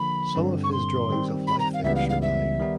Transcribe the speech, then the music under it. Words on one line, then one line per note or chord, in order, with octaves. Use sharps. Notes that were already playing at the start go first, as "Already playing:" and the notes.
Some of his drawings of life there survive.
Already playing: D3 F3 A#3 B5
G2 D3 G3 C4
C#6
C6
D#3 G3 C4
B5
A#5
F5
C#2 C#3 E3 G3 B3 E5
F5
F5
E5
D#3 G3 B3 D#4